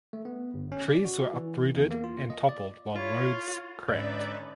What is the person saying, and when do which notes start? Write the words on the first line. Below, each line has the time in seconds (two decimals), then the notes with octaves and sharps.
Trees were uprooted and toppled while roads cracked.
0.13 A3
0.25 B3
0.54 G1
0.72 C#4
0.88 D5
1.05 F#4
1.33 E3
1.75 E2
1.91 A#3
2.04 F4
2.30 D#5
2.49 D5
2.96 E4 F4 A4 C#5
3.88 G#2 D3 C#4 D#4 B4 D5 E5